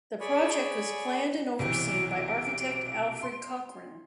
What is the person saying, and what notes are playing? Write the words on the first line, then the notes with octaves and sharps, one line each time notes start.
The project was planned and overseen by architect Alfred Cochrane.
G#4 C#5 D5 G#5 B5
B1 C3 E3 D7
C6